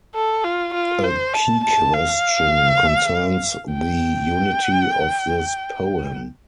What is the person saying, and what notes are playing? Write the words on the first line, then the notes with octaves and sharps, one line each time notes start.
A key question concerns the unity of this poem.
A4
F4
F4
C5
A5
A5
F5
G5